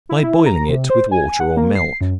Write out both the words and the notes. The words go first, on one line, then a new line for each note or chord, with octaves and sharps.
By boiling it with water or milk.
E4
E4
A#5
C3
C5
G#5
F#5
A#3
C7
F#2